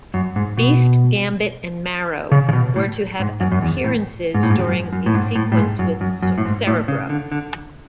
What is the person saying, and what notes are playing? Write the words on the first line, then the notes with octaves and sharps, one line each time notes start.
Beast, Gambit and Marrow were to have appearances during a sequence with Cerebro.
F#2
G#2
B2
C#3
C#3
B2
A2
G#2
F#2
F#2
E2
A2
G#2
A2
G#2
E2
F#2
F#2
A2
G#2
A2
A2
G#2
F#2
F#2
F#2
A2
G#2
A2
C#3
D3
D3